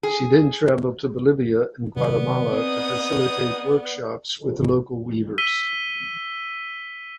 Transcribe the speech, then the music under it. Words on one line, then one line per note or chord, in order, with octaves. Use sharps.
She then traveled to Bolivia and Guatemala to facilitate workshops with local weavers.
G#4
C3 D#3 F#3 B3 D5
C4 D#4 G#4 D#6
E6 B6 D#7 G7